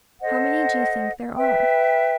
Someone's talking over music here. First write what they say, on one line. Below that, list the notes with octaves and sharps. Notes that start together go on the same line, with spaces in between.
How many do you think there are?
A4 C5 D#5 F#5
B4 E5 G5